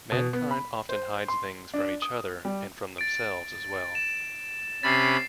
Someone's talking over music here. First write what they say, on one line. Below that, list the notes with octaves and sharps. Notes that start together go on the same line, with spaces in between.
Mankind often hides things from each other and from themselves as well.
B2
B3
B5
C5
C6
D4
D#6
G3
A6 D7
E7
C3 C#4 B5 A6 C7